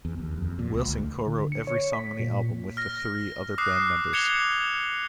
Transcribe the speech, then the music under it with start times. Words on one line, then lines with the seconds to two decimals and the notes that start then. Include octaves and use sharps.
Wilson co-wrote every song on the album with the three other band members.
0.05 E2
0.20 D#2
0.38 F2
0.59 A#2
0.74 C#2
0.89 D2
1.27 D3
1.52 C#7
1.67 C#5
1.93 B6
2.20 A#2
2.77 F6 A#6
3.58 D6 D#6 F#6 C7
4.13 D6 G#6 C#7 E7 F7 G7